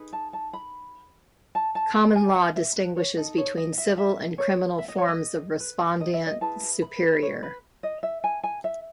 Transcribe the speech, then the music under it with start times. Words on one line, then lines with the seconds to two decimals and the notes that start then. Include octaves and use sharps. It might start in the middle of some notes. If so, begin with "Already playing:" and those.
Common law distinguishes between civil and criminal forms of respondeat superior.
Already playing: D#4 G#4 B4
0.13 A5
0.33 A5
0.53 B5
1.55 A5
1.75 A5
1.95 B5
2.16 G#5
2.36 F#5
2.56 E5
2.76 B4
2.97 C#5
3.17 D#4 A4 D#5
3.38 C#5
3.57 D#5
3.78 E5
3.98 E5
4.38 C#5
4.78 E5
4.88 D#5
4.98 C#5
5.08 D#5
5.60 B4
6.00 D#5
6.14 E5
6.26 D#5
6.41 E4 G#4 B4 A5
6.82 B5
7.22 C#5
7.43 B4
7.83 D#5
8.03 E5
8.24 G#5
8.43 G#5
8.64 E5